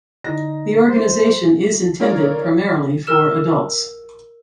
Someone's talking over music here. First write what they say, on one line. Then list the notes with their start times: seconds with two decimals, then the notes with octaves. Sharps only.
The organisation is intended primarily for adults.
0.24 D3 D#4 A#6
0.89 C5
2.00 C4 D#4 F4 A#4 C#5 D5
3.07 A#4 E6 F6 E7